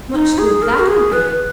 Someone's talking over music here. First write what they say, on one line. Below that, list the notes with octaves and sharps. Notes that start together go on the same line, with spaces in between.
"Much good that would be!"
D#4
G#4
A#4
F#4
G#4
B4